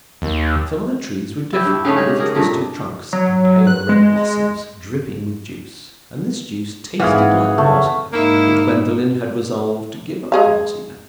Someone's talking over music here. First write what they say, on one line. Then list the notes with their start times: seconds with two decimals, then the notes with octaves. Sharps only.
Some of the trees were different, with twisted trunks, and pale red blossoms dripping with juice; and this juice tasted like marzipan, but Gwendolen had resolved to give up marzipan.
0.22 D#2
1.53 E4 G4
1.65 G2
1.85 C#3 A3 C#4 D#4
1.96 G#3 C#4 G4 C#5
2.20 G#4 A#4
2.35 G2 A#2 A3 A#4
3.13 F#3
3.67 F#6
3.89 G#3
6.99 G#1 E3 G#4 F5 F#5
7.58 C#3 A3
8.13 G#2 A#3 D#4 E4
10.32 G#3 G#4 F5